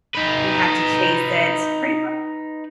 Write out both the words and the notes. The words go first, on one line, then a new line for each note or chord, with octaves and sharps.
you have to chase it pretty much
D#4 B4